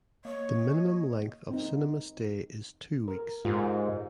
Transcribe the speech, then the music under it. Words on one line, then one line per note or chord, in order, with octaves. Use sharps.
The minimum length of cinema stay is two weeks.
A#3 C#5 D#5
C4 D#4
A#4
G#2 F4 G4 A#4